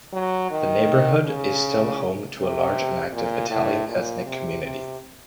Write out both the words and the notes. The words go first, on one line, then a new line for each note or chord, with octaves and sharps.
The neighborhood is still home to a large and active Italian ethnic community.
F#3
D#3
C#3
C3
A#2
A2
A#2
C3
C3